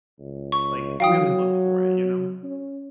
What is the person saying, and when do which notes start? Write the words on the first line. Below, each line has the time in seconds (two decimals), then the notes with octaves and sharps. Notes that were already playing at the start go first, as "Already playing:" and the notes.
like, really look for it, you know?
0.19 C#2
0.52 C#6
1.00 F#3 F5 G5 D#6
2.43 C#4